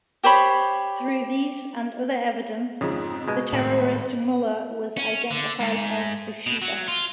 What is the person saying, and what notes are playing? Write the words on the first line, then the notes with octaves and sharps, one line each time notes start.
Through these and other evidence, the terrorist Müller was identified as the shooter.
G4 C5 C#5 B5
F2 G#2 C#3 F3
B2 G#3
G#1 C#2 A2 F#7
C#4
D3
G#2
B2
F#3
F4